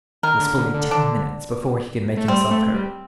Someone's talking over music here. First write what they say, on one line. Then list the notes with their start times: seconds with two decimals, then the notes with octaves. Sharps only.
It was fully ten minutes before he could make himself heard.
0.23 D#3 A#4
0.40 D3
0.58 D3
0.74 D3
0.91 D4
2.17 A3
2.28 G3 C4
2.51 A3
2.74 G3